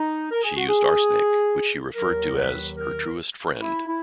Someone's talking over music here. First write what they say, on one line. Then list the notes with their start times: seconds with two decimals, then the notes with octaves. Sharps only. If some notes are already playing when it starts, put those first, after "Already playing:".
She used arsenic, which she referred to as "her truest friend".
Already playing: D#4
0.31 A#4
0.43 G#4
0.56 F#4
0.69 G#4
1.95 D#2 D#3 F#3 A#4
2.37 B4
2.77 A#4
3.61 E4
3.88 E4